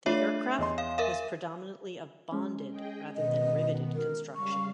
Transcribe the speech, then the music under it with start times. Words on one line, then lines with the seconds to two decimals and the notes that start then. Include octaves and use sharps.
The aircraft was predominantly of bonded, rather than riveted, construction.
0.06 A3 D4 F4 C#5 E5
0.58 E2 D#5 C6
0.78 F5
0.98 A#4 E5 F5
2.32 G#3 C#4
2.71 G#4 D#5 G5
3.16 B2 D#3 B3 D#5
3.95 A#4
4.35 C#3 G3 F5 C#6